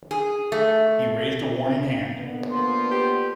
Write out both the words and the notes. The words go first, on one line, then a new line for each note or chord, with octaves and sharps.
He raised a warning hand.
G#4
A3
D3 A#3 B3
F3 C6
G4